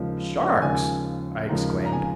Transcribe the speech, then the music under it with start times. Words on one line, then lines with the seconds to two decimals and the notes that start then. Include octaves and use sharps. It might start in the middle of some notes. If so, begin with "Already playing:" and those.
"Sharks?" I exclaimed.
Already playing: D#2 C#3 F3 G#3
0.62 D#2 C#3 F3 G#3 G#5
1.49 D#2 C#3 F3 G#3 A#5
1.85 A#5
1.93 G#5